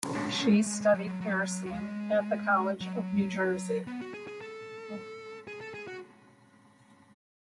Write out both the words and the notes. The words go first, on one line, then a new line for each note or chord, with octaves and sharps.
She studied nursing at The College of New Jersey.
D4
C#4
A3
G#3
G#3
F#3
F#3
F#3
F#3
G#3
F#3
B3
F#4
G#4
G#4
A4
G#4
A4
G#4
F#4